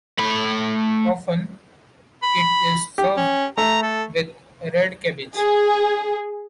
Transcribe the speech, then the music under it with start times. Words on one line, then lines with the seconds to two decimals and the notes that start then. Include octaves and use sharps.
Often it is served with red cabbage.
0.19 A3 B5
2.23 B5
2.98 G4
3.17 C#4
3.57 A3 A#5
3.83 A4
5.35 G#4